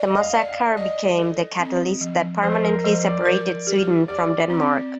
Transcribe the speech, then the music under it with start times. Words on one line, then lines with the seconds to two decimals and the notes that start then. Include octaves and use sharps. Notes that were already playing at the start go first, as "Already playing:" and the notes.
The massacre became the catalyst that permanently separated Sweden from Denmark.
Already playing: D5
0.11 D#5
0.21 F5
0.35 D5
0.49 F5
0.76 D5 D#5
1.18 A4
1.59 C4
2.01 F3
2.43 F3 C5
2.63 A#4
2.85 F3 C5
3.05 D5
3.25 A#4
3.67 G4
4.08 G4 D5
4.50 C4